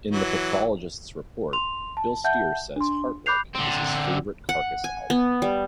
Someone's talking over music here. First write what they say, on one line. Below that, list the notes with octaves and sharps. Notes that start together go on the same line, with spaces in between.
In "The Pathologist's Report," Bill Steer says "Heartwork" is his favourite Carcass album.
E3 F#3
C6 F7
A5
E5 F#5 A5 G6
D4 C6
B5 D6 F#6 G6 C7 F7
D3 C4
F#5
G#5
B3
G3